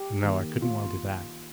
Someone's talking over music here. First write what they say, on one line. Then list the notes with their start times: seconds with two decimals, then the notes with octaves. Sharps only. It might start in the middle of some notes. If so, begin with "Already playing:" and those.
No, I couldn't well do that.
Already playing: G4
0.24 D#3 A#3
0.62 F4